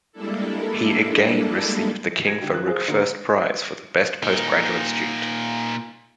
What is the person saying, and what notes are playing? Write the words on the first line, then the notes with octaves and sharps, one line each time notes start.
He again received the King Farouk First Prize for the best postgraduate student.
G3 G#3 A#3 D4 E4 A4
G#6 A#6 E7
D3 G4
F3 F#6
F4 G#4 C5
D3 A#3
A#2 D#4